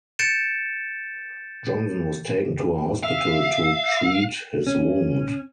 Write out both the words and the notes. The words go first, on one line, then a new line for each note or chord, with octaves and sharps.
Johnson was taken to a hospital to treat his wound.
G6 A6 C#7 D7 E7
E5 F5
C#4